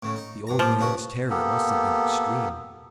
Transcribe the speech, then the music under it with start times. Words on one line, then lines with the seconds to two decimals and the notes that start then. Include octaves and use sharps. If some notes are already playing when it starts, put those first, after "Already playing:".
The old man's terror must have been extreme!
0.03 A2 C#3
0.16 D#4
0.47 G2 A#5
0.59 A#2 F3 G4 G#4
0.79 G2 C#3 F#4
1.30 A#3 B3 G4 A4